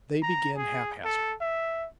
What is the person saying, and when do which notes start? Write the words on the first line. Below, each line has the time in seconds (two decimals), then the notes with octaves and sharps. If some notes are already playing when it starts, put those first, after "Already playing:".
They begin haphazard.
0.22 A#5
0.57 G#4
1.04 A4
1.41 E5